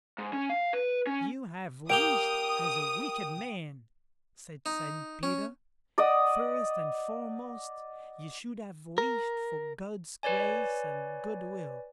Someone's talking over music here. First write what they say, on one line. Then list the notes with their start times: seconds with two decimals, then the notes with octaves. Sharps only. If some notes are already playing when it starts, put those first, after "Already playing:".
'You have wished as a wicked man', said St Peter; 'first and foremost, you should have wished for God's grace and goodwill.'
0.18 G#2
0.33 C#4
0.50 F5
0.73 B4
1.07 C#4
1.90 A#3 G4 G5 D#6 D7 F7 G7
4.66 D#4
5.23 C#4
5.98 D5 D#5 F#5 D#6
8.98 A#4
10.23 B4 C#5 D5 G#5